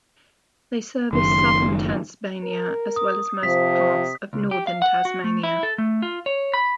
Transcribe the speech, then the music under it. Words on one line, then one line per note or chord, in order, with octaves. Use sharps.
They service Southern Tasmania as well as most parts of Northern Tasmania.
F#1 F#2 D#3 C6
A#4
D#6
C3 F3 B6
C#2
G4
F5
F#5
F#4
A3
E4
A4
A3
F4
C#5
B5